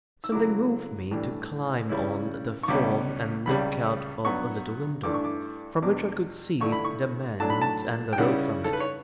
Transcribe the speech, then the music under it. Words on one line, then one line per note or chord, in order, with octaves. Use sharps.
Something moved me to climb on the form and look out of a little window, from which I could see the manse and the road from it.
E6
C#3 F#3 A3 E4 D6
A2 E3 G3 D4
C#3 G3 C#4 E4
C#6
C#2 B2 G3 C#4 D6
C#2 C#3 G3 B5
G2 F#3 B3 C#6
G2 E3 A3 D4 D6
C#6
D6
E2 B2 G3 D4 D6
G2 D3 A3 E4 C#6
B5
C#6
A2 F#3 A3 D4 A5
B5
A5
G5
C#3 G3 C#4 E4 F#5
A4
B4
C#5